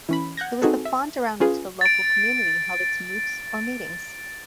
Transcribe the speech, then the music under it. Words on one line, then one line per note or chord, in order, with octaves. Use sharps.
It was the font around which the local community held its moots or meetings.
E3 C#4 B5
F#5 G6 G#6 A#6
C4 D#4 F#4 G#4 A4 B4
E5
C#4 F4 G#4 B4
A6 D7